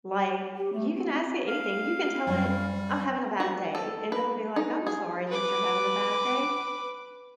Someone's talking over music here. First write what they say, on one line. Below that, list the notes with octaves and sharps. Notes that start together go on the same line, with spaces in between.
like, you can ask it anything, you can tell it, "I'm having a bad day," and it'll be like, "I'm sorry that you're having a bad day,
G4
A3
C4
C4
F5
F#2 G3 C#4 C#5
F#4
A4
B4
D#4
G#4
B4 D6